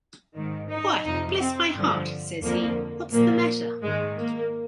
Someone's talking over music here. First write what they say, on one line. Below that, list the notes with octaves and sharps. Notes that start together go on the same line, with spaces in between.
"Why, bless my heart," says he, "what's the matter?"
G#2 D#3
D#4
F2 C3 F3 D#4
C4
G2 D3 F3
F2 D3 F3 A#3
A#2 F3 A#3
G#2 D#3 G#3
A#3